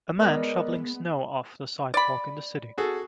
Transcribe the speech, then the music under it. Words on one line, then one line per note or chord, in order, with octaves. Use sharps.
A man shoveling snow off the sidewalk in the city.
G#3 B3 A#4 D5 D#5
D5 B5
F#4 G#4 A4